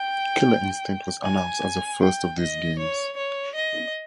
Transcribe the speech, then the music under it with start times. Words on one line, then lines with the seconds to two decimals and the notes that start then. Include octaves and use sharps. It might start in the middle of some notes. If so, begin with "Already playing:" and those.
"Killer Instinct" was announced as the first of these games.
Already playing: G5
1.24 G#5
2.02 G5
2.40 D#5
2.79 C#5
3.17 C#5
3.56 D#5